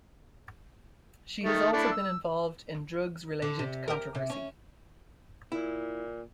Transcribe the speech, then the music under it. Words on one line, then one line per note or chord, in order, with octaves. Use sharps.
She has also been involved in drugs-related controversy.
D#3 A3
A3 D4 E4
E6
D3
C3
G4 A#4
C3
C#4
A#2 E4